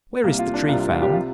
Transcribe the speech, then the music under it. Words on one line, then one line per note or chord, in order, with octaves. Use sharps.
Where is the Tree found?
C2 C3 A#3 A#4
F4
D4
C2 C3 F4
F4
F4
G3 G4
F4
C3